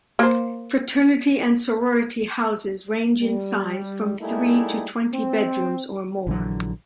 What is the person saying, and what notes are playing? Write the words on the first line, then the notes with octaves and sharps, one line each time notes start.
Fraternity and sorority houses range in size from three to twenty bedrooms or more.
A#3 C5
G3
G3 A3 A#3 D#4 E4 G#4
C4
A#1 D3 E3 F#3